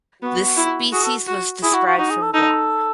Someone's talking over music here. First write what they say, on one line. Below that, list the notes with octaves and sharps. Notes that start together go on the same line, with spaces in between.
This species was described from Guam.
B3 F#4
E4
F#4 G#4
A4
F#4
E4 G#4
F#4
F#4
D#4 F#4
G#4
A4
D#4 A4